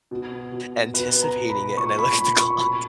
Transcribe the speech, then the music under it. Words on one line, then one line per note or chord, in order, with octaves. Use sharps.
anticipating it. And I look at the clock,
B2
B2
B2 B4
A#5
B2
B5
A#2 C#6
B5
A#2 B5
C#6
B2 B5